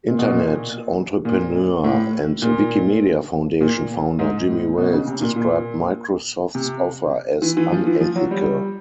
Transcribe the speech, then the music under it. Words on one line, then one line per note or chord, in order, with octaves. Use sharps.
Internet entrepreneur and Wikimedia Foundation founder Jimmy Wales described Microsoft's offer as unethical.
A#2
B2
A#2
A#2
A2
A#2
A#2
G#2
A2
B2
C#3
C3
A#2
A#2
C3
E3
E3
F3
E3
F3
F#3
G3